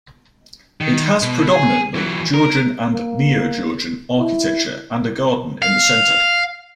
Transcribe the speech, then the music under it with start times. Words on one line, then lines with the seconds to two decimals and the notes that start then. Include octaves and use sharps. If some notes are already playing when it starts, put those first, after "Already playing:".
It has predominantly Georgian and Neo-Georgian architecture and a garden in the centre.
0.81 D#3
1.22 B2
1.51 G#4
1.95 E3 F#3
2.34 A#4
2.94 A#3
4.19 E4
5.62 F5